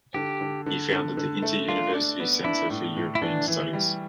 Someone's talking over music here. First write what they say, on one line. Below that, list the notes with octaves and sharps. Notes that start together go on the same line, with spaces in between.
He founded the Inter-University Center for European Studies.
D3 G4
D3
D3
D3
D3
A3
D4 F4
D4
B3
D4 E4
A2
A2
E4
E3 D4
E3
G3